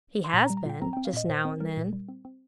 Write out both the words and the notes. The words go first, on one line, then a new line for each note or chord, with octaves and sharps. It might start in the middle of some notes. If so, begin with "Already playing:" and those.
'He has been--just now an' then.'
C6
A#2 A#5
A#5
G3
A#5
A#2 G5
C4 A#5
G5
C4
F5
A#2 D#5
A#2 C5
C4 A#4
G3 A#4
A#2
G3
C4
C4